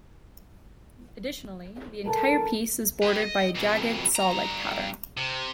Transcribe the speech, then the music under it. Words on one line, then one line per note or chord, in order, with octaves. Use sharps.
Additionally, the entire piece is bordered by a jagged saw-like pattern.
A4 A#4 A5
G4 B4
D#5
F2 B2
G2 A#5
C3